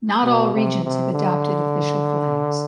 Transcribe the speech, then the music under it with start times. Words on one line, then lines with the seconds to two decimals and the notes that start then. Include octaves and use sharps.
Not all regions have adopted official flags.
0.24 B2
0.55 C3
0.84 C3
1.13 D3